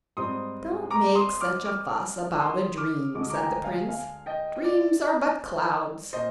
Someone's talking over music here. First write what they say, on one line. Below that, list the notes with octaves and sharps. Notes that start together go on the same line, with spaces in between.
'Don't make such a fuss about a dream,' said the prince; 'dreams are but clouds.
G#2 G3 C4 C6 D#6
A#5 D6
C6 D#6
D6 F6
D6 F6
C6 D#6
D6 F6
D2 D3 G#3 D6
D#6
A#5 D6
G#5
G5 A#5
F5 G#5
F5 G#5
D#5 G5
D5
A#2 C5 D#5